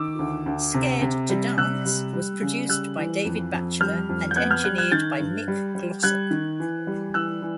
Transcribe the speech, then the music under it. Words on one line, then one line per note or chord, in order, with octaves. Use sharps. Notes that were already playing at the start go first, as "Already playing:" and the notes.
"Scared to Dance" was produced by David Batchelor and engineered by Mick Glossop.
Already playing: D#3 D6 E6
D2
D2
C3
C3
G3
C3 E6 F#6
G3
G3
C#3
G3 E6 F#6
E3
F2
F2
G3 F6 G6
F2
G6
B3 F#6 G#6
F6 G6
G3 F#6 G#6
F#6 G#6
D#3 G6 A6
G2
G3
G3
G3 F#6 G#6
D#3
E3
G3
E3 E6 F#6
E3